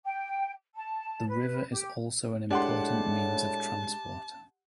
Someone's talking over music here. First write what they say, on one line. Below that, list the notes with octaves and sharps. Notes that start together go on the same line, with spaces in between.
The river is also an important means of transport.
G5
A5
B4
G4
A2 G#3 D4 G4 F#5 A5 C6